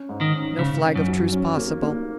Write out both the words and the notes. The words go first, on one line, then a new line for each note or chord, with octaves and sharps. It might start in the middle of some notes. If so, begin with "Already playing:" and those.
No flag of truce possible.
Already playing: C#4
G#2
D#3
C#4
G#2 C#3
C#4
F#2
F#3
C#4
A#3
A#3